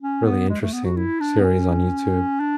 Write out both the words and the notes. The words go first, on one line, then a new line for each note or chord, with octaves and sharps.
really interesting series on YouTube,
C#4
B3
G#3
A3
B3
F#4
E4
D4
B3
C#4
D4